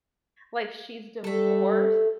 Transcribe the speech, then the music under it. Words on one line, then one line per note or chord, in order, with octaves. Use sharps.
like, she's divorced
G3 A3 A4